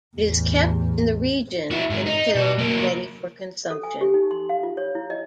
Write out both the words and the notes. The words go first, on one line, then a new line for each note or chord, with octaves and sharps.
It is kept in the region until ready for consumption.
A1 E2
E4 F#4
G#2 D#3
D#4
B2
F#3 A#3
A4
G#5
G4
D#4
C6
F5
F4
C#5
E4
D#5